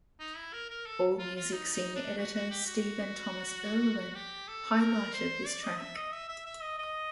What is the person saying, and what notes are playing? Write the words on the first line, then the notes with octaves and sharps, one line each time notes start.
AllMusic senior editor Stephen Thomas Erlewine highlighted this track.
D#4
E4
A#4
A#4
A4
F4
F4
D#4
D#4
D4
F#4
F#4
G4
F#4
G4
A4
A#4
C5
D5
D#5
E5
D#5
E5
E5
E5
D#5
D#5